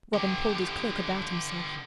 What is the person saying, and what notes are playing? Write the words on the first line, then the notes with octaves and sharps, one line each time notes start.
Robin pulled his cloak about himself.
D3 G4